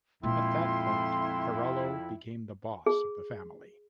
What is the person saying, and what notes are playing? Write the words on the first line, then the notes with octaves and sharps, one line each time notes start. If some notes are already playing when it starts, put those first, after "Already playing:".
At that point Carollo became the boss of the family.
F2 A#2 G#3 E4 G5 C6
G#4